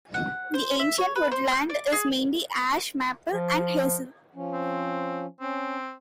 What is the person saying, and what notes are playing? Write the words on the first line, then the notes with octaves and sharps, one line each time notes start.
This ancient woodland is mainly ash, maple and hazel.
F#5
C5
E5
C#5
B4
C5
G6
D5
G#4
F3
F3 C#4
C4
C4 C#4